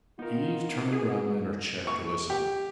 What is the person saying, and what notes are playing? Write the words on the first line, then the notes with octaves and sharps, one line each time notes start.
Eve turned round in her chair to listen.
B3 D#4 F4 A#4
B2 G#4
C#6
G4